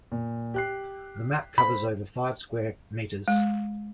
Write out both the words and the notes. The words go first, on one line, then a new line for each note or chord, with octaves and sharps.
The map covers over five square meters.
A#2
G4 F#6 C7
C5 B5
G#3